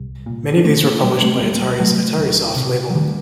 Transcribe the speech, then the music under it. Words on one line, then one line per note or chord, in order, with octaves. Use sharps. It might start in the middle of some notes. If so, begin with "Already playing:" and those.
Many of these were published by Atari's Atarisoft label.
Already playing: C2
A#2
D4
D2 A3 C4
A#3 D4
C3 G3 A#3
A3 C4
C4
D2 G3 A#3
C3 F#3 A3
D2
C3
F#3
D2 D#3 G3